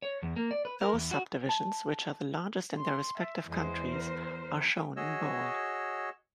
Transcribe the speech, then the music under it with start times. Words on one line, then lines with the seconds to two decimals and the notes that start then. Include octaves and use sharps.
Those subdivisions which are the largest in their respective countries are shown in bold.
0.02 C#5
0.22 E2
0.36 A#3
0.51 D5
0.65 B4
0.81 A#4
0.93 E2
1.11 F#4
1.49 A5
2.78 C6
3.17 E5
3.49 E2 G#3 C5
3.92 A#4
4.96 F#4 G#4 C#5 D#5 E6